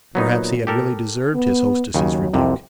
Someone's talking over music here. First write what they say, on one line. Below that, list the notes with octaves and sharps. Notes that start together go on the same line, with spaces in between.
Perhaps he had really deserved his hostess' rebuke.
A#2 F#3 B3 D#4
G4 A4 A#4
B3
D#2 C#3 F#3
C2 F2 C3